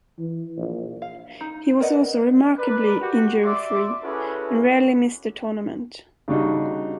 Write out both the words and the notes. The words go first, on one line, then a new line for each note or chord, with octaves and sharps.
He was also remarkably injury free and rarely missed a tournament.
E3
A#1
F5
D#4
A#4 B4 D5 D#5 F#5
A#4 B4 D5
F#4 G4
D5 E5 C6 D6
C#4 E4 F#4 G#4 A4 B4
C#3 G3 D4 D#4 F#4